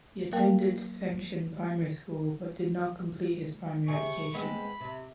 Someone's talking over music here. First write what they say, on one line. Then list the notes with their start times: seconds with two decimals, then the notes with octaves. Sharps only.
He attended Fengshan Primary School but did not complete his primary education.
0.33 F#3 A#3 A#4 G5
3.88 C3 G#4 C#6
4.34 G#3 B3 C4 B5
4.80 C3